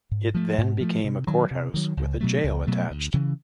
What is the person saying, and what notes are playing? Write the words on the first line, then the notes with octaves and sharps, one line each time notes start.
It then became a courthouse with a jail attached.
G#2
F3 A3
G#2
F3 A3
C3
D#3 F#3
C3
D#3 F#3
C#2
B2 F#3 A3
C#2
B2 F#3 A3
D2
C#3 E3